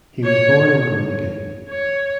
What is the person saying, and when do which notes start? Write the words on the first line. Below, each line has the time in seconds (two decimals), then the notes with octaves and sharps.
He was born in Groningen.
0.24 C#5
1.69 C#5